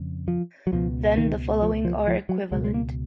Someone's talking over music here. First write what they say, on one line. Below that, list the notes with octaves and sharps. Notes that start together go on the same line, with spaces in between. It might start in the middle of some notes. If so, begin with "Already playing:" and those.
Then the following are equivalent.
Already playing: F2 C#3
F3
F#3
C#2 B2 F3
D#3
F3
F3
F3
F#3
C#2 B2 G#3
G#3
A#3